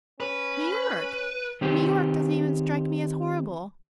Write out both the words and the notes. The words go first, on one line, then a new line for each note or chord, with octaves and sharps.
New York--New York doesn't even strike me as horrible.
C#4 B4
D#3 C4 G4